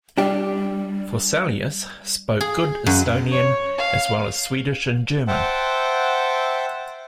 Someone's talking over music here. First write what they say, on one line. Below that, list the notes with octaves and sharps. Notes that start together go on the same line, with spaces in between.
Forselius spoke good Estonian as well as Swedish and German.
G3 D4 G4
G#4
F#2
C#5
F5
C5 E5 F#5 G5 A5